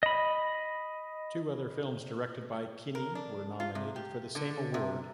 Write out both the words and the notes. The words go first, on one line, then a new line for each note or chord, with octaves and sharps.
Two other films directed by Kinney were nominated for the same award.
D#5 B5
A#4
D4
F4
C3
G4
D3
C3